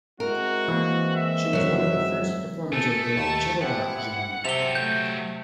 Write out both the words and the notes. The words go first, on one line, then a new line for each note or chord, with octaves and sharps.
She was one of the first performers of the Chalga genre.
G#3 C4 E4 F#4 A#4
E3 A#3
E5
F#2 F#3
A3 G#4 A4
D#2 A5
C4 E4 G4 G#4 F#5
C3 F#3 A4 C5 E5 G5 F7 G7
A3 G6